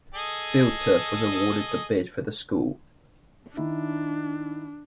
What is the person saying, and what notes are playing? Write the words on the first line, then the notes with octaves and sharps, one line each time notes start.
FieldTurf was awarded the bid for the school.
G#4 A4 D#5
D#3 D4 E4